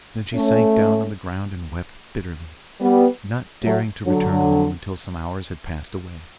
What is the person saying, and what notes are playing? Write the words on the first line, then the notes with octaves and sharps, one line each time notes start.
Then she sank down on the ground and wept bitterly, not daring to return home until some hours had passed away.
A3 C#4
G3 B3
F#3 A3
D3 F#3